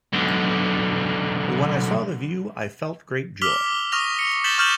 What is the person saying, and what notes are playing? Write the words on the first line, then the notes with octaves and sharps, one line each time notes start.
But when I saw the view, I felt great joy.
B1 D3
D6 E6 F6 B6 F7 G7
C#6 D#6 F6 A#6 F7
C#7
G6 A6 B6 E7 F#7 G7
C#6 F6 G6 E7 F#7